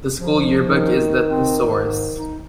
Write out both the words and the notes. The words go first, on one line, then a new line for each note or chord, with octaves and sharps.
The school yearbook is the "Thesaurus".
F3
D#3
C4
G#2
D#4